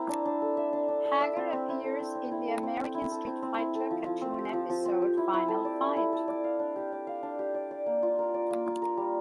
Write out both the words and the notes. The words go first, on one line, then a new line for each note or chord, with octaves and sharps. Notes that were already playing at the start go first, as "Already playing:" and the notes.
Haggar appears in the American "Street Fighter" cartoon episode "Final Fight".
Already playing: C4 E4 A#4
D4
D4
A4
E5
D4
D4
A4
E5
C4
C4
E4
A4
C4
C4
E4
A4
C4
C4
E4
A4
C4
C4
E4
A4
F3
F3
C4
G4
F3
F3
C4
G4
E4
E4
A4
D5
E4
E4
A4
D5
F5
D4
G4
D5
F5
D4
G4
D5
D5
A#3
F4
A#4
D5
A#3
F4
A#4
G3